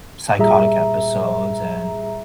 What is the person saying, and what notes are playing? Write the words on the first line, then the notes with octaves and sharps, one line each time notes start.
psychotic episodes, and
A#2 G3 G#4 E5 A#5